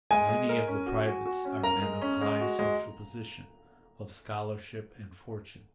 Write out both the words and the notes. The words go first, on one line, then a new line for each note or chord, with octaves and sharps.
Many of the privates are men of high social position, of scholarship and fortune.
G#3 G#5
G#3
A#4
C#4
F#4
F#4
F#4
C#4
A#4 A#5
G#3
C#4
G#3
F#4
G#3